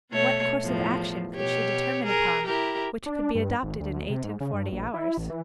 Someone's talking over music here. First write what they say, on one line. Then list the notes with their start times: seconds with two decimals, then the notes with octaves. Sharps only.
What course of action could she determine upon, which could be adopted in eight-and-forty hours?
0.11 B2 A3 C#5
0.63 E2 A2 F3
1.35 B2 G4 C#5
2.05 G#4 A#4
2.46 E4 G4 A#4
3.06 D4
3.35 G2
3.63 G#1
3.80 D2
4.10 C3
4.24 G#2
4.40 C#3
4.53 G2
4.72 A#1
4.94 E4
5.17 A1
5.30 E3